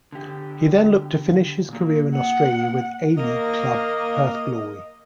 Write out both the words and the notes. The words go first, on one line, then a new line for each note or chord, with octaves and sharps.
He then looked to finish his career in Australia with A-League club Perth Glory.
D3 G4
A#2 A#3
F#5
A#3 D#5